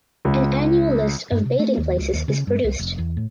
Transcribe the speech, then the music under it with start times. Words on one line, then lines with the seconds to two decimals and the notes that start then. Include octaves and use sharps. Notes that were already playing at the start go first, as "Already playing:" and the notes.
An annual list of bathing places is produced.
0.25 C#2
1.32 G2
1.46 C3
1.59 A3
1.77 D#2
1.99 C#2
2.13 D#2
2.28 C#3
2.47 G2
2.64 C2
2.79 F1
2.98 E2
3.17 A2